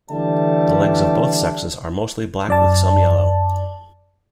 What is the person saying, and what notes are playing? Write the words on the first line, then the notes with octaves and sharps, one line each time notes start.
The legs of both sexes are mostly black with some yellow.
D3 E3 G3 A3 D5 A5
F#2 D5 A5